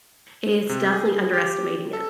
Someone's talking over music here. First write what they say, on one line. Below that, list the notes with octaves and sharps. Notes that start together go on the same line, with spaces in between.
It's definitely underestimating it.
C3
G#4
G4
A4